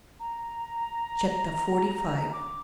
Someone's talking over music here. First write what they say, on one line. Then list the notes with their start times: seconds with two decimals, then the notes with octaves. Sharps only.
Chapter XLV.
0.19 A#5
2.32 D6